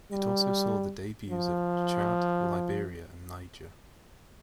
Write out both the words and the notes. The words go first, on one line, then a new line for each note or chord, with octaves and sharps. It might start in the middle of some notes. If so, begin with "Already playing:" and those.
It also saw the debuts of Chad, Liberia and Niger.
G3
F3